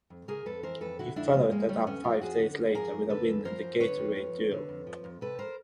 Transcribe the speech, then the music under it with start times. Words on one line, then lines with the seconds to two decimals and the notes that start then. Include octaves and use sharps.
He followed that up five days later with a win in the Gatorade Duel.
0.10 F2
0.28 C#3 G#4 A#4
0.46 F2 A4 B4
0.63 E3 A#4 C5
0.81 F2 A4 B4
0.99 D3 E4 F#4
1.16 F2 D4 E4
1.33 F3 G#3 A#3
1.51 F2 G#3 A#3
1.69 D3 G3 A3
1.86 F2 B3 C#4
2.04 F3 F4 G4
2.21 F2 F#4 G#4
2.39 D3
2.58 F#2
2.74 F3 G#4 A#4
2.92 F#2
3.10 D3 A4 B4
3.27 F#2
3.45 F3 A#4 C5
3.63 F#2
3.80 D3 B4 C#5
3.98 F2
4.16 F3
4.33 F2
4.51 D3
4.69 F2
4.87 F3
5.04 F2
5.21 C3 A4 B4
5.39 A#4 C5